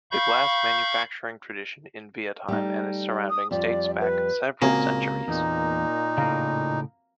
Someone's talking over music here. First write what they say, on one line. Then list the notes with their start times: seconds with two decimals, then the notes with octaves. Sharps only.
The glass manufacturing tradition in Wertheim and its surroundings dates back several centuries.
0.11 F5 B5 C#6 G6
2.48 G3 A3 D#4
3.30 D#6
3.51 F2 G3 D5
4.01 B4
4.62 C#2 A#2 C#3 A#3 C4 F#4 G#5
5.28 E2 A#2 D#4
6.18 A2 C#3 F5 A#5